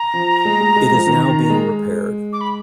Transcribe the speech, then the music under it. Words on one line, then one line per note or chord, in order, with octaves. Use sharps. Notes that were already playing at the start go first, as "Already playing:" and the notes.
It is now being repaired.
Already playing: A#5
F3
G#3
G#3
G#3
F3
D#3
D#3
G#3
D6
B5